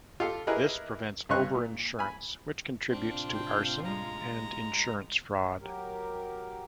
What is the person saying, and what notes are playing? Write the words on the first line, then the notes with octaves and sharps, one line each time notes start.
This prevents overinsurance, which contributes to arson and insurance fraud.
F4 G4 A4
E4 G4 G#4 A#4 B4 D#5
G2 C#3 D#5 C6 C#6 F#6
A#2
G#5 B5
A2 C3 C4 D4 F4
G5
G#3 A#5
F#3 G4 A#4